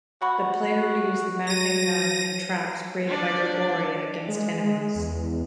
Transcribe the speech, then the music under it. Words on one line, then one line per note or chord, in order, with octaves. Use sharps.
The player would use the magnet gun and traps created by Grigori against enemies.
F#4 F#5 B5 C#6
F#3 A#6 D#7
D4 D5
G#3
E2